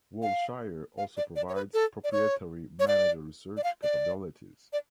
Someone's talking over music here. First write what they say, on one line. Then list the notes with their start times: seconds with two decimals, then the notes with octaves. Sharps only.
Wilshire also provides proprietary manager research capabilities.
0.22 F5
0.98 F5
1.17 D5
1.36 D5
1.49 C#5
1.55 B4
1.74 A4
2.04 D5
2.12 C#5
2.80 C#5
2.88 D5
3.57 D5
3.64 F5
3.83 D5
4.73 D5